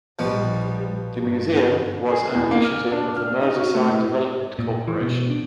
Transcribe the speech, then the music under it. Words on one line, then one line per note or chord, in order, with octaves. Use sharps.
The museum was an initiative of the Merseyside Development Corporation.
A#1 B2 F3 G3
G2
G#4
E2
A#3
F6
D4
F6
D#4
F#4
A3
A2
A#2
E3
B2
D4